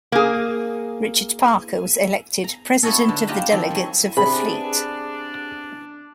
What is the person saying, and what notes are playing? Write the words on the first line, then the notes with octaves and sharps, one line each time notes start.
Richard Parker was elected "President of the Delegates of the Fleet".
A#3 G#4
A#5
B3 C#4 E4 F#4 G#4 A4
D3
F4 G4 B4 D#5 A#5 B5
D#3 F3 C4
F3 F#3
C3 D4 G#4 B5